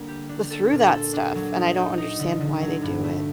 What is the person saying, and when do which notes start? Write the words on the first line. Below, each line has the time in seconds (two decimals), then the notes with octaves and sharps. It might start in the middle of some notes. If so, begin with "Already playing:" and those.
through that stuff, and I don't understand why they do it.
Already playing: D3 G3 A#3
0.08 G4
0.29 D4
0.50 A4
0.71 A#2
0.92 A4
1.13 D4
1.35 F#3
1.56 D#4
1.77 D#4
1.98 D#4
2.19 D3
2.40 D3
2.61 F#3
2.82 G2
3.04 A3